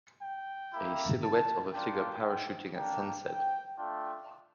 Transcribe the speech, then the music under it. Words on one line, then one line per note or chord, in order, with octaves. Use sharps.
A silhouette of a figure parachuting at sunset.
G5
A#3 E4 G4
A5
A#3 D4 F4 G5
G3 A#3 D4 G5
G5
A3 D4 F4 G5